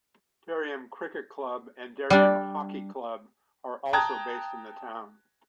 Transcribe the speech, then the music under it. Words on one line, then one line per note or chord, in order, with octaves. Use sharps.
Dereham Cricket Club and Dereham Hockey Club are also based in the town.
G3 D4
G5 A5 A#5 D#6 F#6 G#6